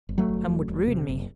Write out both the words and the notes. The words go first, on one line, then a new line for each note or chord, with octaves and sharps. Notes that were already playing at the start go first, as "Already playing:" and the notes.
"And would ruin me."
G1
F#3 A3
G1
E1
E1
C3
F#1